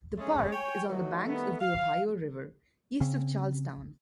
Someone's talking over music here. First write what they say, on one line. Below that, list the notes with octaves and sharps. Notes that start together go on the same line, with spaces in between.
The park is on the banks of the Ohio River, east of Charlestown.
G#3 A3 C#4 G#4
C#5 G5 G#5
D#3 E3 F#3 A3 D#4 F#4
D#3 G3 A3 B3
F5
C#3 C4 C#4